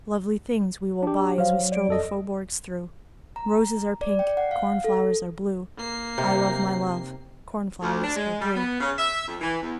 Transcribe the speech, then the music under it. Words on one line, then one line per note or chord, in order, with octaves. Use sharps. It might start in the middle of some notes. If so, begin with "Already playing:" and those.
"Lovely things we will buy As we stroll the faubourgs through, Roses are pink, corn-flowers are blue, I love my love, corn-flowers are blue."
D4 G4
F#3 C5 F5
D5 D7
F2 A4 D#5
A#5
D5
G5
F#5
F5
A4
A#3 C7
C3 D#4
D2
D4
G#3
G3
B3
C#3
E5
F2
E3
E2